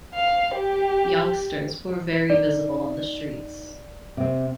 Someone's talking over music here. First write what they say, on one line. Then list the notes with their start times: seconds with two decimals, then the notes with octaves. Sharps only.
Youngsters were very visible on the streets.
0.13 F5
0.55 G4
2.30 D#4 D5
4.17 C3 C4